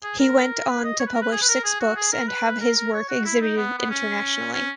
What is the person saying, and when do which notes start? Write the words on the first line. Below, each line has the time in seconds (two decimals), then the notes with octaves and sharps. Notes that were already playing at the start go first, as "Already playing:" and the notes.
He went on to publish six books and have his work exhibited internationally.
0.03 G#4
0.19 A#4
0.68 B4
0.84 D#5
1.00 C#5
1.07 B4
1.14 A#4
1.21 B4
1.32 G#4
1.42 B4
1.48 A#4
1.64 G#4
1.80 F#4
1.96 G#4
2.12 A#4
2.28 B4
2.61 A#4
2.77 A#4
2.93 C#5
3.09 F#4
3.25 E4
3.41 D#4
3.57 B3
3.78 B3
3.90 C#4
4.53 C#4